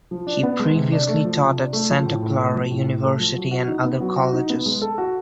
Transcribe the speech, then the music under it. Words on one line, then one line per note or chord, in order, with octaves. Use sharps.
He previously taught at Santa Clara University and other colleges.
F3
D4
B3
G#3
C3
D4
A3
F3
C3
D4
A3
F3
A2
A2
A3
F3
A2
A2
A3
F3
F#3
F#4
D#4
B3
F#3
F#4
D#4
B3
G#3
A4
F#4